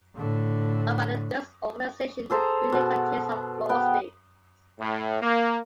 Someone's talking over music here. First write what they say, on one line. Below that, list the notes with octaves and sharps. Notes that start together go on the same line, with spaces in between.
Owned by the Durst Organization, the building contains of floor space.
A2 D3
G#4 A4 C5 A#5
B2
B3 G5
A2
A#3